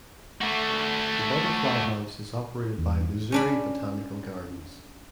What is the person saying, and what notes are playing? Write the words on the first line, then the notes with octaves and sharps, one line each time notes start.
The Butterfly House is operated by Missouri Botanical Gardens.
A3 F#4
E2
C#4 D4 B5